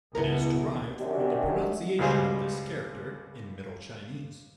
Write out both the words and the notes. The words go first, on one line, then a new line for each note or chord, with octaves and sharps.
It is derived from the pronunciation of this character in Middle Chinese.
C#2 B2 B3 E4 A#4
F#2 C3 D#3 C#4 D4 G4
C#2 B2 G3 G#4 C5 F5